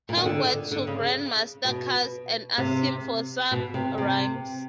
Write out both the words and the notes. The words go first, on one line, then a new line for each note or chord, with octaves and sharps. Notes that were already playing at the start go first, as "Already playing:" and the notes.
Hank went to Grandmaster Caz and asked him for some rhymes.
A#2
D#3
D3
D3
C#3
B2
C3
B2
C3
C3